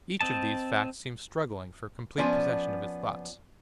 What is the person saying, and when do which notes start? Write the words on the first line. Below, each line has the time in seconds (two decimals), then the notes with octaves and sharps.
Each of these facts seemed struggling for complete possession of his thoughts.
0.21 C4 D#5 A5
2.18 F3 B3 C#4 D4